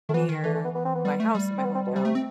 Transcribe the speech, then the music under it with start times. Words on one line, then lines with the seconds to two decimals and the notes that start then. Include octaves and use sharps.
near my house in my hometown.
0.09 D#3 A3
0.14 E3 B3
0.29 D#3
0.44 E3 A3
0.54 A3
0.64 B3
0.75 B3
0.85 C4
0.95 B3
1.05 G3
1.20 A3
1.35 G3
1.58 C4
1.65 B3
1.75 C4
1.86 B2
1.95 C3 G3
2.05 A3
2.15 C4